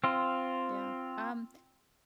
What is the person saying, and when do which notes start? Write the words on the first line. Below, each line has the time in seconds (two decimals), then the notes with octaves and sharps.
Yeah, um,
0.04 C4 F4